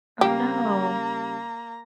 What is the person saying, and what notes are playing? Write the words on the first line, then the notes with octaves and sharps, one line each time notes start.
Oh no.
C#3 G3 A#3 G4 F5 A#5